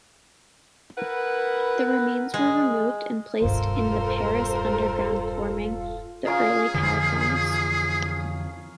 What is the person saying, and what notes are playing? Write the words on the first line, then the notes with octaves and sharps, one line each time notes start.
The remains were removed and placed in the Paris underground forming the early Catacombs.
E4 A#4 B4 F#5
G#3
E1 G2 F4 A4 A#4 C5
C#4 F4 G#4 A#4
F2 D3 E3